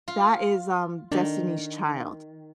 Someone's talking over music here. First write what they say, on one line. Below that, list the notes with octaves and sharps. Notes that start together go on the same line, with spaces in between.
That is, um, Destiny's Child.
F4
D#3 D4